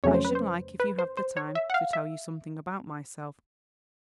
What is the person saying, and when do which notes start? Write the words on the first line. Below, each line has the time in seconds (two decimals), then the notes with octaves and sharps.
I should like, if you have the time, to tell you something about myself.
0.04 F2 C#3 F#3 A3 C#4 C#5
0.14 C5
0.25 B4
0.35 C5
0.80 B4
0.99 C5
1.17 C5
1.37 C#5
1.55 E5
1.70 F#5
1.74 F5
1.93 E5